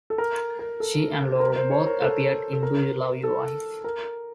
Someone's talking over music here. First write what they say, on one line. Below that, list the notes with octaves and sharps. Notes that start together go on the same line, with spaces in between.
She and Laurel both appeared in Do You Love Your Wife?
A4
A#4
A#4
A4
A#4
C5
C#5
A#4
A4
A4
A#4
A4
A#4